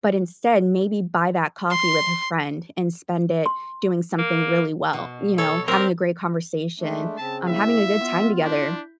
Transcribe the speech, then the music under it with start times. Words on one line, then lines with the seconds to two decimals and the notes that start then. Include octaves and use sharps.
but instead, maybe buy that coffee with a friend and spend it doing something really well, you know, having a great conversation, um, having a good time together.
1.71 C6
3.46 C6
4.18 A#3
4.93 B2
5.38 A4 C#5
5.68 C4 G4 A#4
6.79 G#3 A3 D4
7.18 C#3 C4 A5
7.48 A#3 E4 E5 B6
8.01 B3 F4
8.42 D4 E4 G6 B6